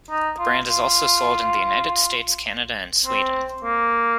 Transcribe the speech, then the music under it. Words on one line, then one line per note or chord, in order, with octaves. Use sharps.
The brand is also sold in the United States, Canada and Sweden.
D#4
F4
F4
C4
A#3